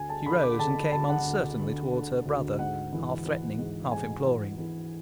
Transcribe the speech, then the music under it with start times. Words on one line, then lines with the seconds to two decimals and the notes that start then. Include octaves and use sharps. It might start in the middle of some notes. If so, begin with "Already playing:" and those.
She rose and came uncertainly towards her brother, half threatening, half imploring.
Already playing: D2 G#5
0.09 A5
0.25 D3 B5
0.42 D6
0.59 D3 A5
0.92 D2 A5
1.09 F#5
1.25 D2
1.59 D3
1.92 D3
2.25 D2
2.59 G#2 F#5
2.92 E3
3.25 E3
3.59 G#2
3.91 G#2 G#5
4.25 E3
4.58 E3